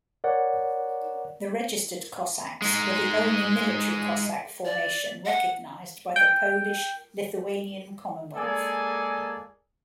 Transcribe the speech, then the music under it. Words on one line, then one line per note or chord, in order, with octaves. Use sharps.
The registered Cossacks were the only military Cossack formation recognized by the Polish-Lithuanian Commonwealth.
A#4 C#5 D5 F#5
G#3 D#4
D5
F#5
G5
G#3 A#3 G#4 A4 D5 G#5